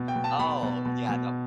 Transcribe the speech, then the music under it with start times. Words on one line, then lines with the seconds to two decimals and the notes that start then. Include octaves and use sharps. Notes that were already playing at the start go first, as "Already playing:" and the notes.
Oh, yeah, no
Already playing: B2
0.08 G5
0.16 B2
0.24 A5
0.39 B2 B5
0.63 B2
0.85 B2
1.09 B2